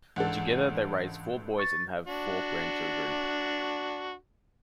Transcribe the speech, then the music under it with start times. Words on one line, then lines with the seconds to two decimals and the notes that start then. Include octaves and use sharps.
Together they raised four boys and have four grandchildren.
0.16 C#2 G#2 E3 D4 A4 F#5
1.59 C#6 A6
2.07 D4 F#4